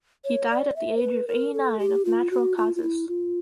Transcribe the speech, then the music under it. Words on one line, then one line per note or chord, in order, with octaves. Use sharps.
He died at the age of eighty-nine of natural causes.
C#5
D5
E5
C5
B4
A#4
A4
G4
F4
F#4
F4
F4
E4
F4